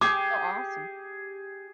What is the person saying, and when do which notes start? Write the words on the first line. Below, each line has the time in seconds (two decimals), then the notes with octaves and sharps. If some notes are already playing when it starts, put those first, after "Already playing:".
Oh, awesome.
0.01 G4 G#4 D6